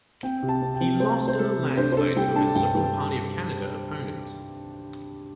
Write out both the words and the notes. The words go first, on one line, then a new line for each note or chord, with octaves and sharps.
He lost in a landslide to his Liberal Party of Canada opponent.
C4 G5
C3
A5
C4
G5
C4
A3 C5
A3
C5
A3 A4
C3
D4 C5
C5
D4 A4
G3 G5
D4 A5
G2 G5
G3